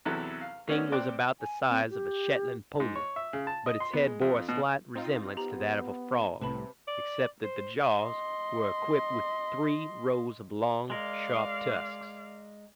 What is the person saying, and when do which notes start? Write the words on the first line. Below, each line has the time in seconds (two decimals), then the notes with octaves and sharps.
The thing was about the size of a Shetland pony, but its head bore a slight resemblance to that of a frog, except that the jaws were equipped with three rows of long, sharp tusks.
0.05 E2 C3 F#3 E4 A4 F#6
0.41 F5
0.67 A3 B3 C#4 D4 F#4
0.92 C3 C5 D5 G5 D6 F#6
1.40 G#5
1.69 C4
1.90 G4
2.80 G#2
2.96 C#5
3.16 E5
3.33 C#3
3.47 A5
3.66 D#5
3.80 C6
3.93 B3
4.05 G#3
4.21 F2
4.49 B2
4.96 C4 D#4 F4
5.37 B3 G4 A#5 F#7
6.41 C2 A2 C3 B4 A5 B5
6.87 D5
7.44 C5
7.99 D#5 C6
10.90 G#3 A#4 D5 F5